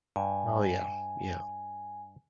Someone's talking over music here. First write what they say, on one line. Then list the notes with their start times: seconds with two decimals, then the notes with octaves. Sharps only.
Oh, yeah. Yeah.
0.16 G2 G#5